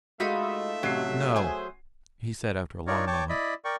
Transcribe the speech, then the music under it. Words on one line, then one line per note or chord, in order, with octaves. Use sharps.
"No," he said after a long moment.
G#3 A3 D#4 F4 F#4 E5 B5
A1 C3 F#3 C7
G#4 C5 G#5
D4 D#4 F4 A#4 C#5 D5
C#5 G5 A5 D6
E4 D5 D#5 B5
A#4 D5 G5 C#6